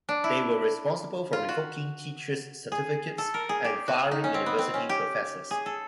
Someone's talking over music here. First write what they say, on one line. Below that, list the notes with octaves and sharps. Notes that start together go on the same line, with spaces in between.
They were responsible for revoking teachers' certificates and firing university professors.
D4
E4
F4
F#4
G#4
A4
A#4
G#4
G4
F#4
D#4
C#4
C4
B3
C4
C#4
G4
G#4
A4